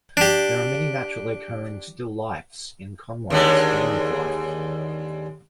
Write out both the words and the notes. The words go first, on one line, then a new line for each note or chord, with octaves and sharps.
There are many naturally occurring still lifes in Conway's Game of Life.
D4 G4
D#2 D3 G#3